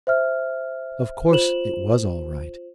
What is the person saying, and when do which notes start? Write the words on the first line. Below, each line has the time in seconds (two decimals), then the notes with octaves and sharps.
Of course it was all right.
0.07 C5 E5 F6
1.31 F4 C5 E7 F#7